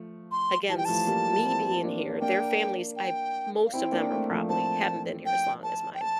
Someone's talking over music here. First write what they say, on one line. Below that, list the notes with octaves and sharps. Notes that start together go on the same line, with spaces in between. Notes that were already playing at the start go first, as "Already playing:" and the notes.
against me being here, their families, I most of them are probably haven't been here as long as mine.
Already playing: F3 A3
C6
E3 G3 A5
G5
F3 A3 A5
G3 A#3
C4 E4
A#3 D4
A#3 D4 G5
G5
F5
C4 E4 G5
A#3 D4
A3 C4
F3 A3
A3 C4 A5
G5
A5
G5
A5